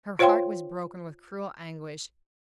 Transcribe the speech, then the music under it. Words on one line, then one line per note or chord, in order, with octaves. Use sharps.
Her heart was broken with cruel anguish.
F4 C5 C#5 F5 G5 C6